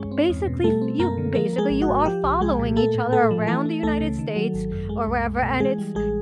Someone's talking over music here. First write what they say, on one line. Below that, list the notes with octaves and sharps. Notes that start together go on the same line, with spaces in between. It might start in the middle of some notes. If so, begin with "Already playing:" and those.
basically f you basically, you are following each other around the United States- or wherever- and it's
Already playing: G2 G#3 C#4 C#5
C4
E2
B2
G3 A3 A4
C4
F#2 A#3 A#4
D3
F3 A#3 A#4
A#3
G#3 G#4
G#1
F#4
G#2
F3 G4
C2
C2 G#3 G#4
A#2
A3 A#3 A4
A2
A2 A3 A4
F3
E3 A3 A4
A3
C#2 A3 A4
C#3
D#3
F#3
G#1
F#2
G#3
C2
C2
B2
E3 G#3 G#4
G3
A1 G#3 G#4